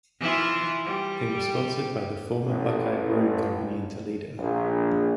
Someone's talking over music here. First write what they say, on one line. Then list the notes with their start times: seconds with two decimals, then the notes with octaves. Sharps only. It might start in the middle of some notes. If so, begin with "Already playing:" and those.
They were sponsored by the former Buckeye Brewing Company in Toledo.
0.20 E3 E4 F4
0.85 G3
2.45 A1
4.38 A#1